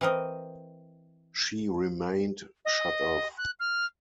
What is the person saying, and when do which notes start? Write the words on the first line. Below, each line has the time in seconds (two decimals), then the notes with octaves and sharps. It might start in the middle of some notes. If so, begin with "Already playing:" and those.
She remained shut off.
0.01 E3 C4 A#4 D#5
2.65 D#5
3.37 F#6
3.60 F6